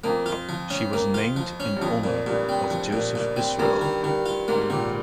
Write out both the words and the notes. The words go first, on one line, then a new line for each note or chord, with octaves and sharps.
She was named in honor of Joseph Israel.
F2 A#3
F4
F3
C#4
A#3
F4
F3
C#4
G2
F2 F3
A#2
G2 A#2
C4
F3
A#2
A#2
C4
G2 A#3
D#3
G2 D#3
F4
G#2 A#3
G#2
A#2 D#3